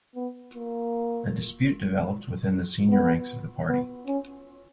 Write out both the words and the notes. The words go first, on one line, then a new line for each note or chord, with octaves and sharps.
A dispute developed within the senior ranks of the party.
B3
A#3
B3
B3
C#4